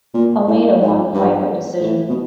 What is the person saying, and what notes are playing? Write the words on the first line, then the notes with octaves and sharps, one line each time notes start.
Almeida won the fight by decision.
A#2
A2
G#2
G2
A2
B2